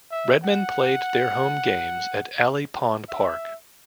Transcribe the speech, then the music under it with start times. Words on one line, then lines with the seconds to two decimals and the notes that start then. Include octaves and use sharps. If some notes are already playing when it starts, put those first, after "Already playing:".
The Redmen played their home games at Alley Pond Park.
0.11 E5
0.44 F#5
3.09 E5